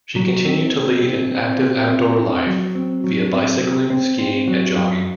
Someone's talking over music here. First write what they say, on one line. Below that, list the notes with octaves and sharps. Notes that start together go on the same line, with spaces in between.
She continued to lead an active outdoor life via bicycling, skiing, and jogging.
F#3
C4
C4
C4
C4
C4
C4
C4
F#3
C4
F#3
C4
C4
C4
C4
F#3
F#2